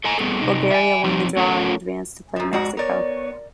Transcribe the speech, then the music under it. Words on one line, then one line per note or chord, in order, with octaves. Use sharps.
Bulgaria won the draw and advanced to play Mexico.
A4 D#5 G#5 A#5
G3 B3 C4 G#4 A4
C3 D#4
E5 G#5
F3 F#3 C4 D#4
A3 C#4 A4 A#4 C#5 F#5
F#2 F3
F2 G#2 G#3 F#4 D5
B3 A#4 C#5 D5